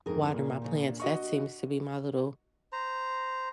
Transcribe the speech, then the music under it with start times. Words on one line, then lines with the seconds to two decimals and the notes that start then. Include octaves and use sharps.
water my plants, that seems to be my little
0.06 F2 G#2 G#4 A#4
0.34 A#2 A#3
0.62 C#3 F3
0.82 D4
1.00 F#4 D#5 C#6
2.72 C5 A#5